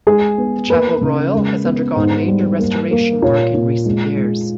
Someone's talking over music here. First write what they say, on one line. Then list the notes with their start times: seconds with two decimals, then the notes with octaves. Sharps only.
The Chapel Royal has undergone major restoration work in recent years.
0.07 G#3 G#4
0.38 B3
0.70 A#3 B4
1.01 C#3
1.33 G#3
1.65 B3
1.96 G#2
2.28 G3
2.59 A#3
2.91 A#3
3.22 A#2 C#5
3.54 A#2
3.85 G#3
4.17 G#3